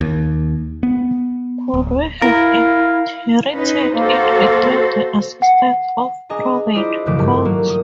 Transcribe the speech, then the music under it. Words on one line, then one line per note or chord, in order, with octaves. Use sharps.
Could we have inherited it without the assistance of probate courts?
D#2
B3
D1
E4 A#4 F5
C#4 D#4 B4
A#3 F#4 A4 C5
F#5
D4 G#4 D#5 G#5 A#5
D4 E4 F4 C5 D5 D#5
G#1 F#2 C#3 F3 A3 D6
G2
F#3 A#3
D#6